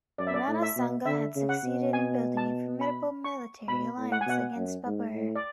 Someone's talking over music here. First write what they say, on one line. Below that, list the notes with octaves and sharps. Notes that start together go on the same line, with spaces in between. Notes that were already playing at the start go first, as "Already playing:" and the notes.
Rana Sanga had succeeded in building a formidable military alliance against Babur.
F#2 D5
E5
D5
A2
E5
B2
D3 E5
C#3
F#5
B2
G#5
A5
B5
C#6
B2 B5
A2
F#5
G#5
B2 F#5
F#2
G#2
A2
D5